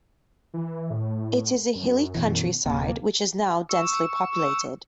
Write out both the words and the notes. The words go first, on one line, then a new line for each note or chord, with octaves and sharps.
It is a hilly countryside, which is now densely populated.
E3
A2
F#2
B2 E3
D1 C3 A#3
C#6 E6